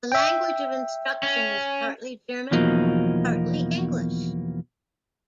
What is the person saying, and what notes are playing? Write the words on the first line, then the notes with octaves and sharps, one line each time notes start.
The language of instruction is partly German, partly English.
E5 G5
C#4
E2 B2 F3 F#3 A#3 D#4